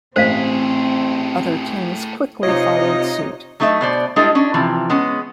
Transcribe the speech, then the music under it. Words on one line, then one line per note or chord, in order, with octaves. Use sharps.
Other teams quickly followed suit.
A1 A2 C4 G#4 C5 F5
C3 D#4 F4 C#5 D#5
F#3 A3 D#4 A4 E5
B2 C5 D5
G3 G#3 D4 E4 A4 D#5
C#4 D4
C3 E3 F3
G#3 B3 C#4